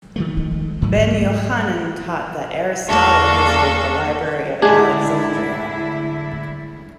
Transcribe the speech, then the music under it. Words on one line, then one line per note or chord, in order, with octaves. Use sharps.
Ben-Jochannan taught that Aristotle visited the Library of Alexandria.
D#3 F3 A3
G#3
G#2 F#3 G3
E2 A#3 D4 A4 C#6
A2 D3 G#3 D4 E4 G#4